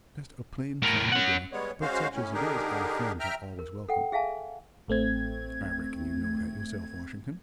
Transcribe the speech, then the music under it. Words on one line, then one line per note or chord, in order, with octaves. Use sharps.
Just a plain family dinner, but such as it is, our friends are always welcome, I reckon you know that yourself, Washington.
A2 A#4
C#4 F#5
G3 G#3 B3 C#5
G#3 C#4 F#4 C5 F5
A2 C#4
D3 D4 D#4 G4 G#4 A#4
E5 G5 A#5 F6
A#4
A4 F#5 G5
G#4 E5 F5 G#5 A5
A1 A3 C4 G#6